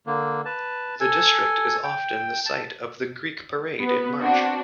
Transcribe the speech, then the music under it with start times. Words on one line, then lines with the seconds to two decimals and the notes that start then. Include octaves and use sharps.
The district is often the site of the Greek parade in March.
0.07 D3 A#3
0.45 B4 A5
1.00 A4 G#5
1.83 G5
2.46 A5
3.80 B3 B4
4.21 C4 D4 F#4